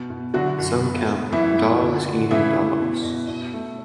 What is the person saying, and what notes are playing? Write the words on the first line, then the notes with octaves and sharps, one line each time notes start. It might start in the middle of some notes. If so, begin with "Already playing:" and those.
Some count "Dogs Eating Dogs".
Already playing: B2
B2
D3 F#3 F#4
F#2
B3
B3
F#2 E3 E4
B3
D3
D3
C#3 E3 E4
E3
B2
B2
B2
A3